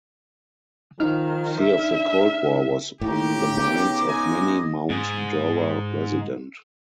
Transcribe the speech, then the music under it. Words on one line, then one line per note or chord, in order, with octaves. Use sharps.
Fear of the Cold War was on the minds of many Mount Dora resident.
D#3 F3 D#4 F6
D4 E5
A2 C#3 D#4 G4 D6
B3 G5
G#2 D#5 G#5
G#2 G#4